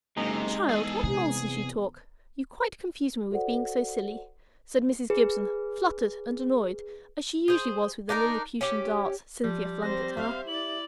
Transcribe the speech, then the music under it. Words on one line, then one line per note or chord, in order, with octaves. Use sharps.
"Child! what nonsense you talk; you quite confuse me with being so silly," said Mrs. Gibson, fluttered and annoyed as she usually was with the Lilliputian darts Cynthia flung at her.
F#1 C3 G#3 D#4
E2 G#4 A4
C3 G#4
F#4 A4 C5 D5 F#5
G#4 B4
G#4 C5
D4 D#4 G4 A#4
C#4 G4
F3 G3
C4 C5 A#6
G4 E5 F5
E4 D5 F#7